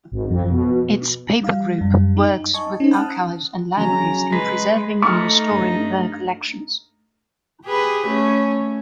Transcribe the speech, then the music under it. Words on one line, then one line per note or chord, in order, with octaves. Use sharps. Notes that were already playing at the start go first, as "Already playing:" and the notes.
Its Paper Group works with archives and libraries in preserving and restoring their collections.
G#1
F2
B2
G3 F5
F#2 G3
D#4
D#5 G#5 A5 C#6
C#4 D#4 C5
F#5 A5 D#6 F6 F#6
C#3 F#3 C#4 A#5
G#3 B4 B6
A3 D#4 C#6 F6
G2
G4 G#4 B4
A3 C#4